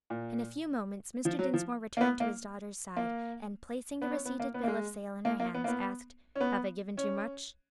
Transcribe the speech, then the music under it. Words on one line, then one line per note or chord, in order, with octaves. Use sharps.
In a few moments Mr. Dinsmore returned to his daughter's side, and placing the receipted bill of sale in her hands, asked, "Have I given too much?"
A#2
F3
F#3
F3
A#3
B3
A#3
A#3
B3
C#4
B3
A#3
B3
A#3
G#3
A#3
A#3
B3
A#3
B3
C#4
B3
C#4